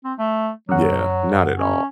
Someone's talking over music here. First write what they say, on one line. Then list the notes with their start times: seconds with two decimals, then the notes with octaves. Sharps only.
Yeah, not at all.
0.04 C4
0.19 A3
0.69 F#2 F#3 F#5
1.57 C#4